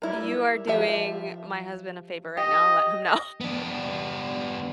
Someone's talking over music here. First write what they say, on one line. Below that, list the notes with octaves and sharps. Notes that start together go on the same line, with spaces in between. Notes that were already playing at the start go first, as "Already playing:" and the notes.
You are doing my husband a favor right now, let him know,
G3 E4 A#4
F3 G4 E5
G4 D#5
B3 D4